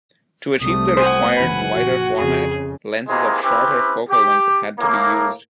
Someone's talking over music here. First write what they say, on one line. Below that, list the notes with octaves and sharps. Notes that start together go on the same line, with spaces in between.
To achieve the required wider format, lenses of shorter focal-length had to be used.
C2 C3 A3 D#6
C5 F#5 G#5
F#1 E3 B5
A#1 F#4
F2 C#3 G#4
C3 D#3 E3 G#3 A#3
C4 C#4 E4 G4 B4
G4
A2 A#3